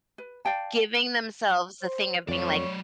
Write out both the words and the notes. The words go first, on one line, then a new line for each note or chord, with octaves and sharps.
giving themselves the thing of being like,
B4
D5 F5 G5 A5
C5
F2 F#3 C#5 D5